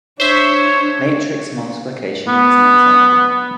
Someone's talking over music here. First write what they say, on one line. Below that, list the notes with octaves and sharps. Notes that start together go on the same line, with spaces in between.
Matrix multiplication is an example.
D4 C5 C#5 E5
B3